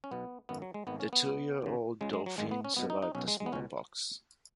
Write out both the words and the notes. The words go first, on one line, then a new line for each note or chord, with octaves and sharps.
The two-year-old Dauphin survived the smallpox.
C#4
B1 B2 B3
G#1 F#2 D#3 B3
F#3
G#3
G#1 G#2 D#3 B3
C#4
B3
C#2 B2
D#2 C#3
C#2 C#3 G#3
G#3
F#3
G#1 F#2 D#3 G#3
B3
C#4
B1 B2 B3
D#4
D#4
B1 B2 C#4
G#3
G#3
B3
C#2 B2 C#4